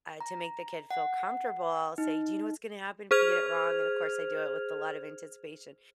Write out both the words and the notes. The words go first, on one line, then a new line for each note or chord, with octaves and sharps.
uh, to make the kid feel comfortable, I'll say, "Do you know what's gonna happen if you get it wrong?" And, of course, I do it with a lot of anticipation.
A#5
F#5
D#4
G#4 C5 F6 G#6 F7